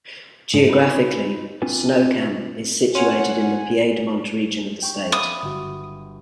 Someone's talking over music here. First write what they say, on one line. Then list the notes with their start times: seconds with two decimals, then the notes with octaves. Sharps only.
Geographically, Snow Camp is situated in the piedmont region of the state.
0.54 G#2 D4
0.67 D#4 F4 A#4 B4
1.62 C4 D4 F4 B4 G#5
2.95 C#4 C#5 F#5 G#5 C6
4.82 G5 C#6 B6
5.12 E5 F5 B5 D#6
5.42 G1 F#4